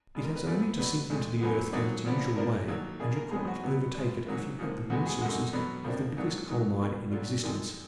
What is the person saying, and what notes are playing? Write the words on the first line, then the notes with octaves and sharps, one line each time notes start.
It has only to sink into the earth in its usual way, and you could not overtake it if you had the resources of the biggest coal-mine in existence.
B2 G#3 D4
A#4
B4
F#2 D3 F3 B3 D5
B2 F#3 D4 B4
D2 D3 G#3 D4
F#2 D3 F#3 B3
G#2 F#3 A#3 D4 D5
A#2 F3 B3 D4
A#2 F3 A#3 D4 A#4
D#2 D#3 F#3
B2 A#3 D4 G#4
A#4
F2 F3 G#3 B3 D4 G#4
F#4
B2 F#3 B3 D4
B2 G#3 D4
G#2 F#3 A#3
G#2 F3 A#3
D2 D3 G#3 B3 F#4
G#4
F#2 D3 G#3 F#4
B2 F#3 B3 D4
F2 F3 A#3 D4
G#2 F#3 A#3 D4
G#2 D#3 F#3
B2 A#3 D4
A#2 F#3 D4 F4
F#2 D#3 G#3 D4